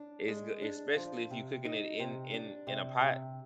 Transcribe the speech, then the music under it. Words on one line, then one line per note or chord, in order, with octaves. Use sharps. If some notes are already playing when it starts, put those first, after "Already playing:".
it's g especially if you cooking it in in in a pot,
Already playing: D4
G#3
D4
F3
C3
D#4
C3
D4
C3
C3